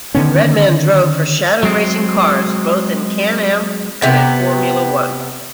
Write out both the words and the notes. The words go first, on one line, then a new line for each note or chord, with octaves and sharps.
Redman drove for Shadow Racing Cars both in CanAm and in Formula One.
D3 D#3 B3 C#4
F#3 G#3 C4
C3 B3